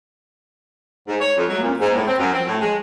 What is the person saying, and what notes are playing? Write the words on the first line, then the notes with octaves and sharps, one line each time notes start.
Now for the Cardinal.
G#2
C#5
F2
F#3
A#2
G#2
A2
C4
F#2
C4
A2
G#3